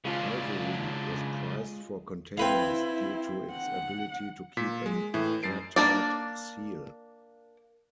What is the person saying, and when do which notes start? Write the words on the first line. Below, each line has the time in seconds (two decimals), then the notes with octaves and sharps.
Ivory was prized for containers due to its ability to keep an airtight seal.
0.05 C#3 G#3 D4 F4
2.38 C4 E4 B4 F5
3.52 F#5
4.57 A#2 B6
4.86 G#3
5.14 A2 E3
5.43 F#2 A6 C7 D7
5.76 A#3 D4 D5